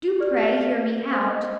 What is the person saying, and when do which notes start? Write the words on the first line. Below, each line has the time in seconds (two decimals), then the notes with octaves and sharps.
Do pray hear me out.
0.19 G4 G#4 D5 F6
0.63 F5
1.13 C5 G#5 C6
1.29 D#5